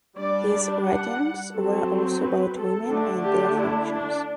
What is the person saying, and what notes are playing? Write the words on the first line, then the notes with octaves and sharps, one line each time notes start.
His writings were also about women and their functions.
G3 D4 D5
F#5
F#3 C4 A4
B4
A4
D3 A3 D4
G4
E4
D4